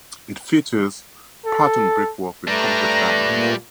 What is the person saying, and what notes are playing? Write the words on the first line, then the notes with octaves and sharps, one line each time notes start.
It features patterned brickwork with complex diamonds.
A4
G3 A3 D4 B4 D5 A#5 A#6
A#2